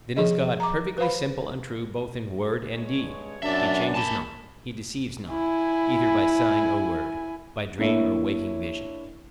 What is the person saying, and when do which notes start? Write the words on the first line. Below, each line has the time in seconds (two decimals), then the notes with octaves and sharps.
Then is God perfectly simple and true both in word and deed; he changes not; he deceives not, either by sign or word, by dream or waking vision.
0.17 F3 G#4 D#5
0.60 A#5 D6
0.98 B4 C5 F5 B5
2.75 G2 G#3 C#5
3.43 B1 F#2 C3 F#3 D4 E5 A5
3.94 A#3 G#5 A5 B5
5.31 E4 G#5
7.78 A#3 D4 E4 C#5 E5